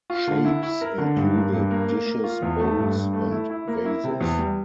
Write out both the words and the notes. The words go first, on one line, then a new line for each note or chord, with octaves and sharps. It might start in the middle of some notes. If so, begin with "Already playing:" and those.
Shapes included dishes, bowls, and vases.
F4
D3
E4
E4
A#4
D3
G2
A#3
G2
A#3
A#3
A#3
F4
E2
A3
G2
G2
A3
E4
E4
A#3
E4
C3
E2
G3